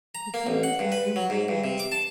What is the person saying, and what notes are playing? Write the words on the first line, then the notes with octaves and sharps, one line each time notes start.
He came into the room radiant.
A#5
A#3
A1
F#5
G2
B4
F#3
G#2
G2
C3
D6
A5